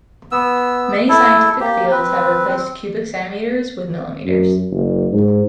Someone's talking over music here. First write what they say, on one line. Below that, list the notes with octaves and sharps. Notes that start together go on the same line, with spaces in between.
Many scientific fields have replaced cubic centimeters with milliliters.
B3 E6
E4 A4
A#3 G4
C4 B4
C4
F#2
F#1
G#2